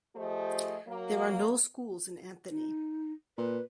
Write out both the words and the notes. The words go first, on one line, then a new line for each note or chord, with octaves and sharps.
There are no schools in Anthony.
F3 A3 G4 G#4 C5 D#5
F#3 A#3
D#4
A#2 B4